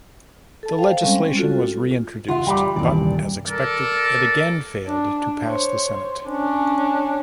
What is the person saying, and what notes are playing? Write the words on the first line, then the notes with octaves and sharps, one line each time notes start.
The legislation was reintroduced, but, as expected, it again failed to pass the Senate.
A4 A5
C5 F5 G5
G3 G#3 C4 C#4
F4 F#4 A4
C#3 F4 E5 F#5 C6
G3 G5 A#5 B5 D6
D#1 C2 G2 B2 D#3 E3 D5
A4 A#4 D5
D4
C5 C#5
C#4 D4